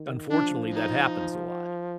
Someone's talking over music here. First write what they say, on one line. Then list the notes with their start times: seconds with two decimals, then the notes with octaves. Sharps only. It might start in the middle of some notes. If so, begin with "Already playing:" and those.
unfortunately, that happens a lot,
Already playing: D#3
0.31 F3 D4
0.73 D#4